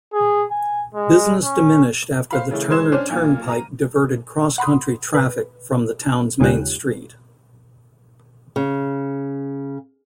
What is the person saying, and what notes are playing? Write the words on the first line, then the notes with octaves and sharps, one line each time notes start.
Business diminished after the Turner Turnpike diverted cross-country traffic from the town's main street.
G#4
G#5
G#3
C#4
C5 F5 B5
C#3 E3 A3
E3 G#3 C5 C6 G#6 E7
C#4 D4 C5 F6
B1 A#2
A#5 D#7
F#5 B5 C6 D#6
B4
D#2 C#3 G#3 F4 G4 F#6
C#3